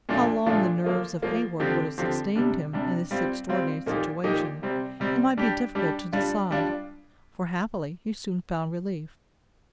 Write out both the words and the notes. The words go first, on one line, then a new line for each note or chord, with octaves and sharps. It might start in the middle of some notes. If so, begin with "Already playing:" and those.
How long the nerves of Heyward would have sustained him in this extraordinary situation, it might be difficult to decide, for, happily, he soon found relief.
A#2 F3 A3 D4 F4
A#2 F3 A3 D4 F4
F3 A#3 F4
F3 A#3 F4
D3 F3 C4 G4
D3 F3 C4 G4
C3 G3 D4
C3 G3 D4
G3 C4 F4
G3 C4 F4
A#2 F3 A#3 D#4 G4
A#2 F3 A#3 D#4 G4
C3 G3 C4
C3 G3 C4
G3 D4 G4
G3 D4 G4
G3 D4 F4
G3 D4 F4